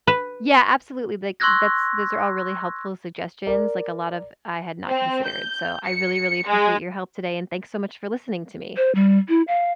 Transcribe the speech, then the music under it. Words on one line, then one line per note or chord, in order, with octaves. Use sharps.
Yeah, absolutely, like, that's those are all really helpful suggestions, like, a lot of I had not considered, so, I really, really appreciate your help today, and thanks so much for listening to me.
B4
C6 C#6 E6 F#6 G#6 A#6
A#4 D5
C4
G6
C#7
G#3
C5
G3
E4
F5